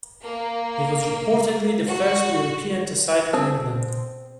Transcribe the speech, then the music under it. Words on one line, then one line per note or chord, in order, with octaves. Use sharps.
He was reportedly the first European to sight Greenland.
A#3
F#4
C4 G#4 A5